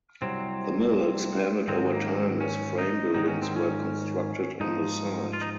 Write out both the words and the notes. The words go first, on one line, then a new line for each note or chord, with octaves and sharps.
The mill expanded over time as frame buildings were constructed on the site.
C2 C3 F#3 C4
G#2 D#3 F#3 C4
A#3
C#4
D#4
G#2 D#3 F#3 D#4
C#4
C4
C#4
G#2 F3 D#4
F4
D#4